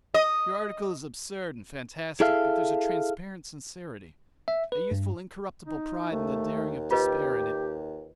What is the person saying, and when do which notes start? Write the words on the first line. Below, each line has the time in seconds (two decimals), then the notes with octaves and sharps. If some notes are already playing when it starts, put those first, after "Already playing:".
Your article is absurd and fantastic, but there's a transparent sincerity, a youthful incorruptible pride and the daring of despair in it.
0.14 D#5
2.20 E4 G#4 A4 E5 F5
4.48 E5
4.72 B4
4.91 G2
5.67 D#4
6.11 D#2 A3
6.91 F4 G4 B4 D#5